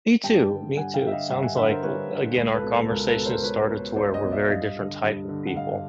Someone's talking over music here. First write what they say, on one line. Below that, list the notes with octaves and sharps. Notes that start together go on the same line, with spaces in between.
Me too, me too, it sounds like w again, our conversation started to where we're very different type of people,
G2 G5 A5
D3
G2 F#5 G#5
F5 G5
D3 E5
D#5 F5
G2 E5 F#5
F#5 G#5
D3 E5 F#5
A#4 C5
G2 B4 C#5
D3
C#2
A4 B4
B2
A4
C#2 A#4
A4 B4
B2
A#4 C5
C#2 B4 C#5
B2 B4 C#5
C#2 C5 D5
C#5 D#5
B2
D5 E5
G2 D#5 F5
D3
G2
D3
F#5
G2 D#5 F5